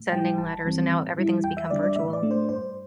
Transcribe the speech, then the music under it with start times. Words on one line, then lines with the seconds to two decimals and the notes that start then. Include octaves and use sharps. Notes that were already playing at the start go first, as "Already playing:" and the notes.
sending letters, and now everything's become virtual.
Already playing: A2
0.12 G3 E4 G5
0.38 G1 A5
0.65 G2 E3 G3 C4
0.91 A2
1.18 G3 E4
1.44 E2 G5
1.57 E5
1.70 D3 G3 D4 D5
1.83 D5
1.96 A2 E5
2.13 D5
2.23 A3 D4
2.31 C5
2.49 G2 C5